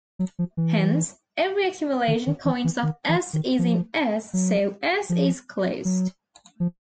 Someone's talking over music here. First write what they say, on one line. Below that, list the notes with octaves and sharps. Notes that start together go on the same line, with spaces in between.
Hence, every accumulation point of "S" is in "S", so "S" is closed.
F#3
F3
E3
D#3
D#3
E3
E3
D#3
E3
D#3
F3
F#3
F3
F#3
F3